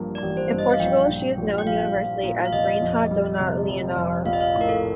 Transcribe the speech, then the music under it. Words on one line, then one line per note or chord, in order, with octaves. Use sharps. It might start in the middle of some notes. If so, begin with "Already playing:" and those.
In Portugal, she is known universally as "Rainha Dona Leonor".
Already playing: A1 G2 F3 A#3
D5
A1
C5
G2
D#5
F5
A#1 G5
A#2
A#1
G5
F3 F5
A#1
A#2
F5
F1 D#5
F2
G3
C3
F1
F2
A#1 F5
D#5
F5
A2
A#4
A4